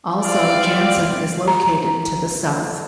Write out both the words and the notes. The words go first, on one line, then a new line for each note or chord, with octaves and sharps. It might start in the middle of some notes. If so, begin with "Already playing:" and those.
Also Janssen is located to the south.
C4 F4 D5 F5
A#5